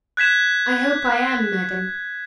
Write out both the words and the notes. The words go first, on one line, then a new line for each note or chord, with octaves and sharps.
"I hope I am, madam."
F#6 G#6 B6 E7